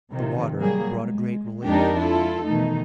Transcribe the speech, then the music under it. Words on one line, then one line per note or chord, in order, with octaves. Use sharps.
The water brought a great relief.
C3 D#3 F3
F#3 G3 A#3 G#4
G#3
F2 G#3 D4 D#4 G4 A#4
E4 F4 A4
B2 D#3 E3 A3 D#4